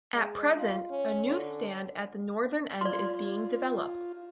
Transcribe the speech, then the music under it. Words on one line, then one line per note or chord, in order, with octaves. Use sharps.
At present, a new stand at the northern end is being developed.
G#3
F4
C#4
D3
F4 D5 C6